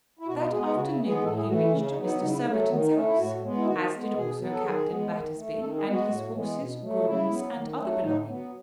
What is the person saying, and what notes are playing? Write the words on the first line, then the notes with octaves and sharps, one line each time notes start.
That afternoon he reached Mr. Surbiton's house, as did also Captain Battersby, and his horses, grooms, and other belongings.
E4
B2 F#4
G#3 B3 G#4
C#3 F#4
E4
G#3 B3
G#4
A2 A4
G#4
E3 A3 F#4
E4
C#3 C#4
C#4
D#4
F#3 B3
D#4
C#3 D#4
E4
D#4
F#3 A3
C#4
D#3 B3
D#4
A3 C#4
E4
A2 F#4
G#3 B3
E4
D#3 F#4
G#3 B3
B2 G#4
F#3 B3
A4
D#3 G#4
G#3 B3
D#3
A3
D#3 A4
G#4
G#3 B3
F#4
A2
E3 G#3 B3
B2
F#3 A3
C#3 E4
F#3 B3
D#3
F#3 A3
A2 D#4
F#3 B3